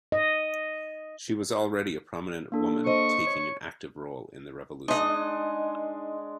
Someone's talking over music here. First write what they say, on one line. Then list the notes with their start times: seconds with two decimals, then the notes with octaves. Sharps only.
She was already a prominent woman taking an active role in the revolution.
0.12 D#5
2.52 A#3 D4 A4
2.86 C5 D#5 C#6
3.27 C#5
4.88 G#3 D4 D#4 D#5